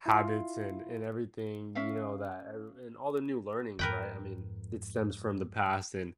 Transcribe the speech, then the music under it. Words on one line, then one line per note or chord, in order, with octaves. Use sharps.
habits, and and everything, you know, that ev and all the new learnings, right, I mean, it stems from the past and
E4 F4 C6
C#4 E5 F5
F2 G#2 A#4 B4 G5